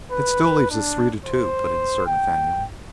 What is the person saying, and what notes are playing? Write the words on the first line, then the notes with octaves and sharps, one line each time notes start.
"That still leaves us three to two!" put in Sir Nathaniel.
B4
D4
C5
G5